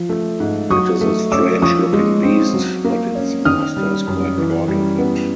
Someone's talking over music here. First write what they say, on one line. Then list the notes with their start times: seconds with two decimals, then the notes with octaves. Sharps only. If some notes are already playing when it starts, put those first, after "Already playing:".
It is a strange-looking beast, but its master is quite proud of it.
Already playing: F3
0.09 A3
0.40 G#2
0.70 F#3 C#6 D#6
1.01 A3
1.32 C#4 D6 E6
1.62 F3 C#6 D#6
1.93 G#3
2.23 C4
2.53 F#3
2.85 A#3
3.15 C#4
3.45 D#3 D#6 F6
3.77 G3
4.07 F#2
4.38 E3
4.68 G3
4.99 B3